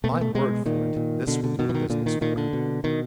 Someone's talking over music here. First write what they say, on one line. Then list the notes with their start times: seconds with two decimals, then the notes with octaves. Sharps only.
My word for it, this will do the business for him.
0.04 B2 A3
0.12 A#3
0.21 A3
0.35 B2 G#3
0.66 A#2 D#3
0.96 A#2
1.27 B2 D3
1.44 D3
1.59 B2 D#3
1.69 E3
1.74 D#3
1.90 A#2 D3
2.06 D#3
2.21 A#2 D#3
2.37 D3
2.53 B2
2.84 B2 D#3